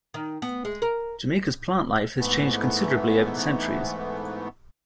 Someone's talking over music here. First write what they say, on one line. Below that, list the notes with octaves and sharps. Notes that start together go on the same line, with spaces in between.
Jamaica's plant life has changed considerably over the centuries.
D#3
B3
G#3
A#4
G#2 E3 A3 B3